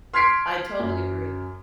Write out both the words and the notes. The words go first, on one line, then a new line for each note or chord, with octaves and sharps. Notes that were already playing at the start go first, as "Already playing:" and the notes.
I totally agree.
C6 F6 G#6 B6 C7 D7
F#2